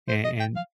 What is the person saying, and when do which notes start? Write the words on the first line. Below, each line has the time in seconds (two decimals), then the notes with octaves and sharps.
And and
0.09 C5
0.25 D#5
0.40 G5
0.56 F5